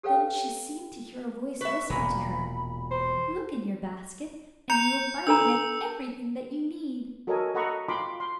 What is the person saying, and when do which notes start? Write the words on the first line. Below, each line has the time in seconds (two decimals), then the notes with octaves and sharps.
Then she seemed to hear a voice whisper to her, 'Look in your basket, and you will find in it everything that you need.'
0.03 G4 A4 B4 C#5 F5 G5
1.61 B4 E5 C#6
1.90 E1 A#2 B5
2.91 C5
4.70 A#5 G6 C#7 F7
5.27 D4 A4 A#5 E6
7.27 F#4 A4 A#4 C#5 D#5 G#5
7.55 A4 D#5 F#5 A#5 B5 C#6
7.89 F4 B5 C6 D6
8.20 C6